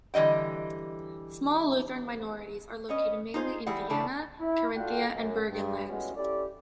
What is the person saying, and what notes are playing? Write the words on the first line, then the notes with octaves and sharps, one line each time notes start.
Small Lutheran minorities are located mainly in Vienna, Carinthia, and Burgenland.
D3 E3 G3 D#5 G5
B3 C#4 D#5
D#4 F4 G#4 C5
E3 G3 E4 G#4 F#5
C#3 E3 C#4 D4 A4
E4
F4 F#4 A4 D5 F#5 G5
F#2
G2
A2 G3 G#3 B3 C#4 F#4
C#4 E4 G4 A4 D5